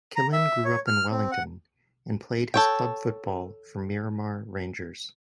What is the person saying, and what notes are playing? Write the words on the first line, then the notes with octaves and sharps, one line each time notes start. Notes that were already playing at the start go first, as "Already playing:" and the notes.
Killen grew up in Wellington and played his club football for Miramar Rangers.
A#5
E5
C#5
F6
C4
F#5
A4 C#5 G5